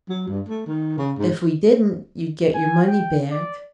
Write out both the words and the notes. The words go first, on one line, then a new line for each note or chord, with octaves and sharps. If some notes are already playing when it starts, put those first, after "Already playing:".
"If we didn't you'd get your money back."
F#3
G2
A3
D#3
C#3
G#2
G#5
G5
D5